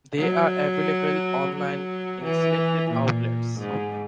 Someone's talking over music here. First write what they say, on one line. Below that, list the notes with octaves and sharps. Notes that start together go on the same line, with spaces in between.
They are available online and in selected outlets.
F#3
F#3
E3
A#2
G#2